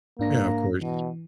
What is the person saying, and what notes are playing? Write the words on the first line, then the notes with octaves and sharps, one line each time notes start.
Yeah, of course.
G#2 A#3 D4 A#6
B2 E3